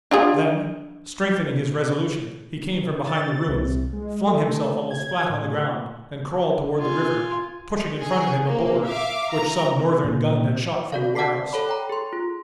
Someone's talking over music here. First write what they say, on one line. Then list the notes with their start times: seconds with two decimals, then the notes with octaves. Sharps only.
Then, strengthening his resolution, he came from behind the ruins, flung himself almost flat on the ground, and crawled toward the river, pushing in front of him a board, which some Northern gun had shot from the warehouse.
0.11 D4 F4 G#4
3.07 A6
3.48 C2
3.93 G#3
4.27 A3
4.91 G#6
5.30 A2
6.79 F4 G#5
8.00 G#4
8.47 A#3
8.86 E5 F5 D6
9.31 A#5
10.04 A#2
10.92 F#4 D5 F5
11.15 D5 F#5 A5 D6 B6 C7
11.53 A4 C#5 B5
11.69 G5 A#5
11.89 G#4 C6
12.13 F4